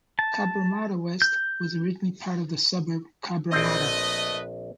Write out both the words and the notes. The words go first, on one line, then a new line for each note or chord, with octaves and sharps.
Cabramatta West was originally a part of the suburb Cabramatta.
A5
G6
A#1 A3 C4 B4 D#5